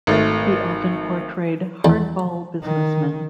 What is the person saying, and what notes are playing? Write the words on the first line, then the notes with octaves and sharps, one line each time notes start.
He often portrayed hard-ball businessmen.
G#1 A3
E2
D#3